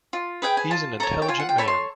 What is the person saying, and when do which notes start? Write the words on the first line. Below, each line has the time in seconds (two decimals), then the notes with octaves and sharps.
He's an intelligent man.
0.13 F4
0.42 G#4 B4 G5
0.57 G#5
0.71 F4 A5
1.00 A4 C#5 A#5
1.22 G5
1.28 F4 G#5
1.40 F#5
1.49 G5
1.58 A4 C#5 B5
1.68 C6